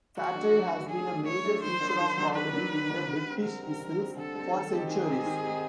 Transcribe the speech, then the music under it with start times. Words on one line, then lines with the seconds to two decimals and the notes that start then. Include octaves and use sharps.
Satire has been a major feature of comedy in the British isles for centuries.
0.18 F#3 F#4
0.36 A3 D4
0.54 F#3
0.72 A3 D4
0.89 F#3 G#4
1.08 A3 D4
1.26 F#3 C#5
1.44 A3 D4
1.62 D#3 C5
1.80 F#3 A#3 D4 F#4
2.00 D#3
2.18 F#3 A#3 D4 F#4
2.35 D#3 B4
2.53 F#3 A#3 D4 F#4
2.72 D#3
2.90 F#3 A#3 D4 F#4
3.07 D3
3.26 G3 C4
3.44 D3 A#4
3.62 G3 C4
3.80 D3
3.99 G3 C4
4.17 D3 A4
4.35 G3 C4
4.53 D#3
4.72 G#3 C4 D#4 G4
4.90 D#3 G#4
5.08 G#3 C4 D#4 G4
5.26 D#3
5.44 G#3 C4 D#4 G4